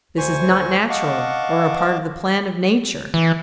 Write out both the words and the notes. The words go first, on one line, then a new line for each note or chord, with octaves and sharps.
This is not natural, or a part of the plan of nature.
D2 C5 G#5 C#6
D#5 F5 F#5 A5 C#6 D6
E3